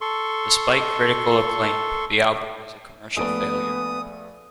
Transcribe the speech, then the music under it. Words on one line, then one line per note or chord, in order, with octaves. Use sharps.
Despite critical acclaim, the album was a commercial failure.
A4 C6 C#6
A#1 A3 B3 D#6 D7